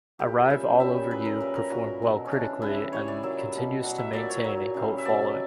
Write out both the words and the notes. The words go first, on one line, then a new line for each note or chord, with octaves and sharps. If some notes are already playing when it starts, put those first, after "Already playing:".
"Arrive All Over You" performed well critically and continues to maintain a cult following.
A#2 G3 G4
C#3 G3 E5
A#2 G3 E5
C#3 F#3 B4
A#4
A#2 G3 B4
A#4
A#2 F#3 F#4
B2 F#3
C#4
C#3 E3 G3 D4
C#3 E3 G3 E4
C#3 E3 G3 C#5
D5
A#2 F#3 E5
B2 G3
B2 F#3 F#5
E5
A#2 F#3 D5
C#5
A#2 F#3
C#3 E3 G3
E5
B2 F#3 D5